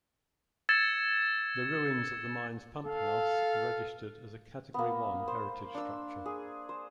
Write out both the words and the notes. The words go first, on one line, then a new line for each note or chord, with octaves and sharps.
The ruins of the mine's pumphouse are registered as a Category One heritage structure.
E6 G#6 A6 C#7 E7
A4 F5
A#3 B3
C5
D4 E6
G#4
C5